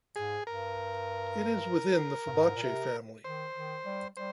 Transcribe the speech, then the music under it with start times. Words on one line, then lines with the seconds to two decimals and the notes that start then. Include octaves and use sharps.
It is within the Fabaceae family.
0.16 G#2 G#4
0.47 G2 A#4
2.27 G2
2.32 G#2
2.56 A#2
2.63 C3
3.24 D#3 C5
3.55 D#3
3.85 G3
4.16 G3 C5